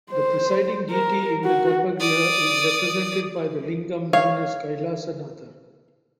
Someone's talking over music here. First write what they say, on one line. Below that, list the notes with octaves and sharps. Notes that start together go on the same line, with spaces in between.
The presiding deity in the garbhagriha is represented by the "lingam" known as Kailasanathar.
C5
A#4
F#4
D5 D#6
C#5 F5